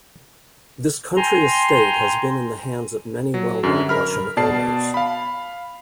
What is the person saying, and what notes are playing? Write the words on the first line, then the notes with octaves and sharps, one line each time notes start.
This country estate has been in the hands of many well known Russian owners.
G5 G#5 A#5 C6
F#3
F#2 D3
A#4 B5 F6
B2 D5 A5 C7
F5 B5